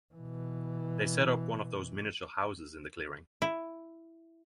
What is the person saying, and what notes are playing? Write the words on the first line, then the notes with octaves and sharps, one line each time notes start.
They set up one of those miniature houses in the clearing.
B2 E3
E4